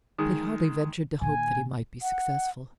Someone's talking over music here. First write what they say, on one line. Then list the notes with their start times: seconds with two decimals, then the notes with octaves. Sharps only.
But he hardly ventured to hope that he might be successful.
0.18 D#3 G#3
1.21 A#2 D#3 G#5
2.02 F#5